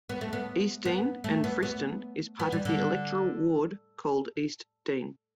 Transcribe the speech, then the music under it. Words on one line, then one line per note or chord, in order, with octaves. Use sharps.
Eastdean and Friston is part of the electoral ward called East Dean.
B3
A3
B3
B3
A3
B3
B3
B3
G3
D3